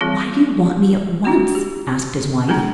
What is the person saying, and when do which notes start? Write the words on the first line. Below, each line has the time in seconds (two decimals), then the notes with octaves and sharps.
"Why do you want me at once?" asked his wife.
0.01 E3 G3 C4 F4 G#4
1.24 A3 D4 F4 F#4
1.55 G4
2.49 G#3 B3 D4 F4 G#4